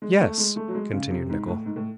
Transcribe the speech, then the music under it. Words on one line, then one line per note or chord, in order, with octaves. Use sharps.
"Yes," continued Nicholl.
G#3
A3
G#3
A3
F#3
G#3
C#3
C3
G#2
A2
G#2
A2